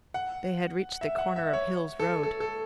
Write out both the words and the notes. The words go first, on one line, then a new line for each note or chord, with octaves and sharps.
They had reached the corner of Hills Road.
F#5
E5
F#5
E5
C#5
A4
A4
A4